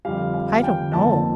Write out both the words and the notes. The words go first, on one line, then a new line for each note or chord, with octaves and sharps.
"I don't know."
F2 D3 G3 F5
F5
G5
G1 F2 D#3 A#3 A5